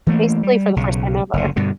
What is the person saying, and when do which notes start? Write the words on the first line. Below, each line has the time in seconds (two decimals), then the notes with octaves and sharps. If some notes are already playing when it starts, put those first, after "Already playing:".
basically, for the first time ever.
0.07 E3 A3 A#3
0.43 G3
0.76 B1 C#3
1.33 F#1 D2 D3
1.56 G2 B2 D3